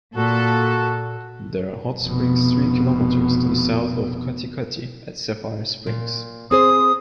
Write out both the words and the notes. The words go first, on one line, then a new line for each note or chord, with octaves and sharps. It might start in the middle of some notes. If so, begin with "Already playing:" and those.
There are hot springs three kilometres to the south of Katikati at Sapphire Springs.
A#2 F#4 A4
F1 B2
A#2
C4 G#4 C5 D#6